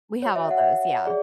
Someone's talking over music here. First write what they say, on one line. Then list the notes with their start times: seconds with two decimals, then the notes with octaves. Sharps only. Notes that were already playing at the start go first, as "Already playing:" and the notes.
we have all those, yeah.
0.22 F#4 C#5
0.36 E5
0.51 F#5
1.05 G#4 D5